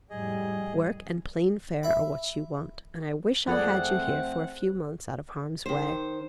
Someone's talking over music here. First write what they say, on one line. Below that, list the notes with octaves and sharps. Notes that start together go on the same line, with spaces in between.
Work and plain fare are what you want; and I wish I had you here for a few months out of harm's way.
F2 A2 G3 G#4 D#5
E5 B5
F2 F3 A3 C4 G#4 A4 D5 F#5
D#3 C5